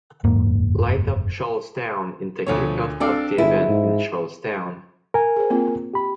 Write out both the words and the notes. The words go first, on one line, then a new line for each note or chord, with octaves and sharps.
Light Up Charlestown is the kick-off of the event in Charlestown.
F#1 E2 G#2 A#3
D2 B2 F3 A3 B3 C#5
C4 D4 A4 D5 F5 G5
G1 G#3 E4
G#2
A#4 G#5
G#4 C5
A#3 C4 F4
G4 B5